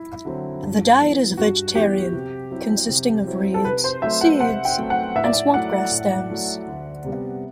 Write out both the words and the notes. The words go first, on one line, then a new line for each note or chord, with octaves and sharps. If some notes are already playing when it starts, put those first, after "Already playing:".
The diet is vegetarian; consisting of reeds, seeds and swamp grass stems.
Already playing: E4
D3 F#3 C4
G2
E3 B3 E4
G2 F#4
E3 B3 E4 G4
C3
F#3 C4 E4
C3
F#3 C4 E4
A4
C3 B4
C5
F#3 A3 C4 E5
F#5
C3 F#5
G5
F#3 A3 C4
F#5
A2 E5
D5
E5
F#3 A3 E4 F#5
A2
F#3 A3 E4
D2
C3 G3 B3